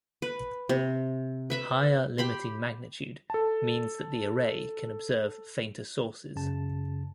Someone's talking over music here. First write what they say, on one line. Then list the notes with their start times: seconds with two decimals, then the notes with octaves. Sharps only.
Higher limiting magnitude means that the array can observe fainter sources.
0.22 B4
0.69 C3
1.50 B4 E5 B5
2.18 G4 B5 C6
3.30 A4 A5
6.36 F#2 C#3 A5